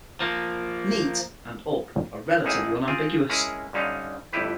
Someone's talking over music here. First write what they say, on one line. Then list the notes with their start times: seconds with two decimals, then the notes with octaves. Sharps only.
"Neat" and "up" are relatively unambiguous.
0.20 F3 A#3
2.44 A1 A2 A#3 D#4 G#4 E5
2.87 C4 F4 G#4
3.29 G#3 C#4 E4 G#4 A#4
3.73 G2 D3 C#4 D#4 F5
4.33 G1 F2 A2 E4 G4 B4